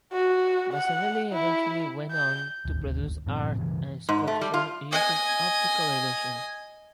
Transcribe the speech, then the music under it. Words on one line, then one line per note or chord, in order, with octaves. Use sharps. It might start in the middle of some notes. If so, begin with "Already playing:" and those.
Vasarely eventually went on to produce art and sculpture using optical illusion.
F#4
F#5
E4
G6
D1 G1 D#2
G2 A#2 F3 C4
G2 C#3 E3
G#2
A3
G3
F4
D#5 G#5